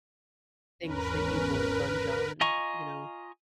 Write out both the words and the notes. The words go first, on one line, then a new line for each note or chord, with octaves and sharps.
things that you won't budge on, you know?
G#1 E2 C#4 A#4 B4
F4 D#5 G#5 A#5 C#6